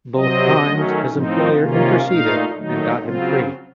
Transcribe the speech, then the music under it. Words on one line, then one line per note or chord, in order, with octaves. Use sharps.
Both times his employer interceded and got him freed.
C3 F#3 C4 D#5
D#3 F#3 A3 C#4
A2 F3 C4 D#4
C3 D#3 A#3 C#4 F4
A#2 A3 D#4 F5
D#3 F#3 A3 D#4
C#3 F#3 C4 F4